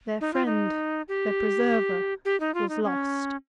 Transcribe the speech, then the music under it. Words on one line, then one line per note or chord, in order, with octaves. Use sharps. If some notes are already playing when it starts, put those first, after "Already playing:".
Their friend, their preserver, was lost!
D#4
F4
D#4
G4
G4
D#4
F4
D#4
C#4